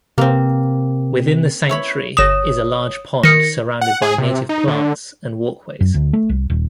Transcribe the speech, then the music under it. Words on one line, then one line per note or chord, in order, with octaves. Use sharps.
Within the sanctuary is a large pond surrounded by native plants and walkways.
C3 A#3 C4
E4 C#5 B5
G1 C#5 D#6 A#6 E7
D#3 A#6 C#7
F#5
G#4
C3
D#4
D3
F#2
D2
A3
C2
D#1